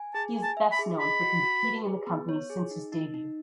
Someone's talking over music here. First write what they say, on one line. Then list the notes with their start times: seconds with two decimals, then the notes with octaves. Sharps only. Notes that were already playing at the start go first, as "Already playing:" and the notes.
He is best known for competing in the company since his debut.
Already playing: G#5
0.14 G#4 A5
0.36 G#5
0.43 A5
0.57 E5
0.72 B5
0.79 G#4
1.00 D#5 B5
1.21 F#4
1.43 F#4
1.64 B4
1.85 G#4
2.07 B3
2.29 C#5
2.50 G#4
2.71 D#4
2.92 D#4
3.14 D#4